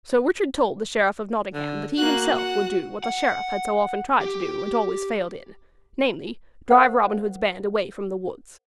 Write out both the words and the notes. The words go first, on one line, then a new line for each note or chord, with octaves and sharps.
So Richard told the Sheriff of Nottingham that he himself would do what the Sheriff had so often tried to do and always failed in--namely drive Robin Hood's band away from the woods.
D3
A#3 F#4 F#6
F#5
F#5
G4
A#4 C5 F5 F#5